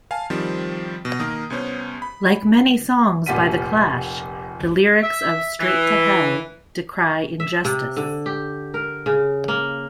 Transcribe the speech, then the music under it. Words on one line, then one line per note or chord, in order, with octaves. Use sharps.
Like many songs by the Clash, the lyrics of "Straight to Hell" decry injustice.
F5 G#5 A5
D#3 F3 G3 C4
B2
D#3 A#3 A#4 D#6
C2 B3 C#4 C5
B5
F1 A#2 G4 F#5 B6 D#7
E5
E3
E5
C3
D3
G4
A#4
C#3
A#3